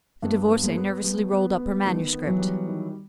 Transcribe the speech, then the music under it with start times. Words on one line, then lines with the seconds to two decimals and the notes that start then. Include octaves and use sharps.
The Divorcee nervously rolled up her manuscript.
0.22 G2 A3 B3
0.49 B3
0.63 G#3 A#3
0.77 B3
1.04 G3 A3 B3
1.31 B3
1.58 B3
1.86 D#3 G3 A3
2.13 B3
2.26 E3 F#3
2.39 G3
2.68 D#3